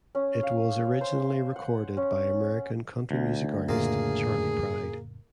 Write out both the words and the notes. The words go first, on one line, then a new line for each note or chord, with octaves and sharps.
It was originally recorded by American country music artist Charley Pride.
C#4
F5
C5
F#5
C#4
D2
F2 A2 C#3 A#3 F4 G#4